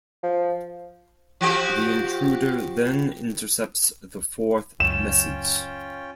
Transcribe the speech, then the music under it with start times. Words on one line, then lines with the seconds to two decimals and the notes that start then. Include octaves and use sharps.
The intruder then intercepts the fourth message.
0.23 F3
1.41 F3 F#4 G4
4.80 C#2 F#2 C#4 F4 G5 E7